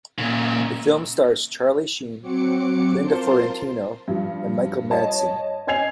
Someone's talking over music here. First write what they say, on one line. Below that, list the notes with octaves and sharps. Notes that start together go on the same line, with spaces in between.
The film stars Charlie Sheen, Linda Fiorentino, and Michael Madsen.
A#2 C#3
F#3 C4 F#4 D6 C#7
F4 A#4 C5 A5 C6
G2 F3
C#5 D#5 A5
C#5 D#5 G#5 G#6 C7 F7